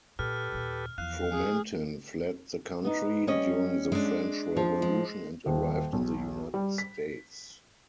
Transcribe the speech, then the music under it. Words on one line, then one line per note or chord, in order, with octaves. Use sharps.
Fromentin fled the country during the French Revolution and arrived in the United States.
A#2 G4 A4 B4 F6
D#2 A#2
E2 F3 F5 F#6
G#4
B3 D#4
G3 C#4 D#5
G#3 D4
F3
G#3
D#1
B1
G3
B6